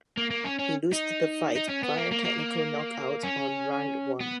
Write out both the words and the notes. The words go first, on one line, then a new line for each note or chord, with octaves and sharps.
He lost the fight via technical knockout on round one.
A#3
A#3
C#4
C#4
D#4
D#4
C#4
B3
A#3
A#3
A#3
C#4
B3